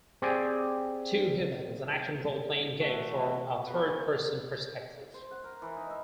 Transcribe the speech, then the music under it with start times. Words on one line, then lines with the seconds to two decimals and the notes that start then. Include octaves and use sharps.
"Too Human" is an action role-playing game from a third-person perspective.
0.22 C4 G4 G#4 D5 G#5
2.80 E3 A3 F#4
3.67 B3 F4 F#4 G#4 A#4 B4
5.14 C5
5.31 F#5
5.44 A#4
5.62 E3
5.76 D#4
5.90 E5